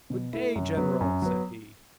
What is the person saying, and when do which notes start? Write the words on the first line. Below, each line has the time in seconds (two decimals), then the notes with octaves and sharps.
"Good day, General!" said he.
0.10 B2
0.33 A3 E4
0.55 F#2
0.77 F#3 B3
1.01 F#2
1.22 F#3 B3